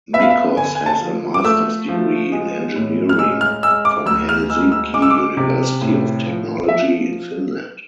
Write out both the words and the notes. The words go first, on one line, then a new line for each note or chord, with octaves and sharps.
Mickos has a master's degree in Engineering from Helsinki University of Technology in Finland.
B3 E5
F5
E5
D3 G#5
G#5
A5
F3
D6
A3 E6
F3
G#3
A2
F6
G#3 E6
F6
G#3 E6
D6
D2 E6
F6
G#3 E6
E6
G#3 D6
E6
D6
C3
A2
F3
F3 E5